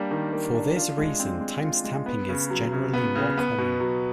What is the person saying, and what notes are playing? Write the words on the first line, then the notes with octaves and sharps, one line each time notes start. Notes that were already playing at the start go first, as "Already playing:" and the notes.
For this reason, timestamping is generally more common.
Already playing: G3 A#3 D4
D#3
A#3
D4
F4
G#3
C4
G#3
F4
G#3
B3
C#3
F#3
C#3
B3
C#3
B3
B2
F#3